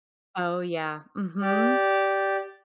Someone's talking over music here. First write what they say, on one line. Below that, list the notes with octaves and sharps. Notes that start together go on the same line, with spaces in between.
Oh, yeah, mhm.
G4 D5